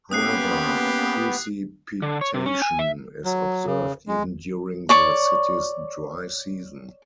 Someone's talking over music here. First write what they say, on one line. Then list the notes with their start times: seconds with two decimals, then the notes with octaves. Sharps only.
However, precipitation is observed even during the city's dry season.
0.11 A#3 B3 C#4 G4 D#6 F#6 C7
2.02 D3
2.21 C#5
2.34 C3
2.46 C#4
2.62 G#5
2.79 E5
3.25 F#3
3.66 C#3
4.08 G#3
4.89 C#5 D5 C#6